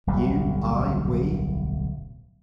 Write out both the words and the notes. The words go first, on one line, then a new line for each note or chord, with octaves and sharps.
You, I, we.
D1 B1 F2 G3